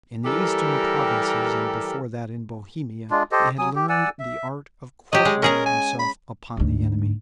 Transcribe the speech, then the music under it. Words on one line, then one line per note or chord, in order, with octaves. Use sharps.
In the Eastern provinces, and before that in Bohemia, he had learned the art of quartering himself upon the enemy.
E3 G3 G4 A4 A#4
G#3 D4 F4
G4 A4 C5 D#5
F#3 G#5 D#6
G4
D5 F#5 G#5 E6
E5
F#3 G4 D#5
G#3
C#4 G#4 A#4 A#5
G#5
B5
D2 G#2